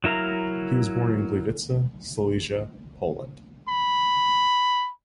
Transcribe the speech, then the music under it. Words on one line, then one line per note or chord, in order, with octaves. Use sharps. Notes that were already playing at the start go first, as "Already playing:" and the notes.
He was born in Gliwice, Silesia, Poland.
F#3 E4 A#4 F5 A#5
B5